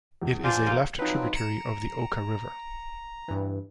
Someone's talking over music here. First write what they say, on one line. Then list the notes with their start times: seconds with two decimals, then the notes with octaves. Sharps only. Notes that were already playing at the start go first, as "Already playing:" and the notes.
It is a left tributary of the Oka River.
0.22 E2
0.44 D4 F4 C5 D5 G#5
0.65 D#4 F4 G4
0.99 F3 F#3 C4 D#4 B4
1.35 A#5 C#7 D7 E7
3.28 G2 E3